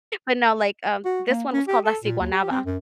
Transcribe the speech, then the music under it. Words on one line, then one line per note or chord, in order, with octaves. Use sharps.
but not, like, um this one was called La Siguanaba.
F#4
A#3
C#4
G4
A4
A#2
D#2
G4
C4
F#2